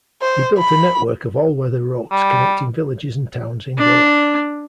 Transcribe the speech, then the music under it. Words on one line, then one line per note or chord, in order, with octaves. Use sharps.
He built a network of all weather roads connecting villages and Towns in Goa.
C5
B5
G3
D4